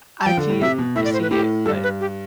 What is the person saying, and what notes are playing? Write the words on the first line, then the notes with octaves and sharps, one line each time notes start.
I did see it but
A5
F3 G5
D3
A2
C3 E5
B2
A2 E5
D5
C5
B4
A2 G4
G2 A4
B4
G4